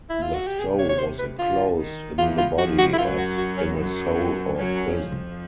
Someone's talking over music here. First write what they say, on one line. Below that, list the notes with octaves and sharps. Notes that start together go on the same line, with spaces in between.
The soul was enclosed in the body as in a soul or prison.
E4
F4
F#4
G4
C3 G#4
C#5
C#5
C5
B4
D3 F4
D#3
E2 E3 F4
F4
F2 F3 F#4
F#4
E4
F#2 F#3 F4
F#4
F#4
C#4
F#2 F#3
F#2 F#3 C#4
F2 F3